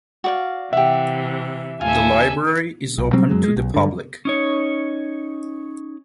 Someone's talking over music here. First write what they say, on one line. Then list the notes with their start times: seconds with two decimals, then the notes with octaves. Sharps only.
The library is open to the public.
0.24 F#4 D5 F5
0.73 C3 E3 G4 E5 F#5
1.81 D#2 F4 A4 E5 G#5
2.98 B1
3.13 B2 F#3 G3 C4
3.30 F#2 F#3 G#3
3.44 G#3
3.57 B1
3.74 G2 D3
4.25 C#4 D#4 C#5